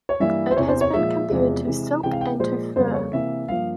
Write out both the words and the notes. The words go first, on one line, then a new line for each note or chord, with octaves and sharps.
It has been compared to silk, and to fur.
C#5
G2 E3 G3 A#3 E5
C5
E2 C3 E3 C#5
C5
C#5
A#2 F3 G#3 E5
E2 C3 F3 G#3
C3 E3 G#3
C3 E3 G#3 G5
F5
G5
A#2 F3 G#3 C5
F2 C#3 G3 A#3 C5
C#5
C3 E3 A#3 E5
G2 F3 A#3 F5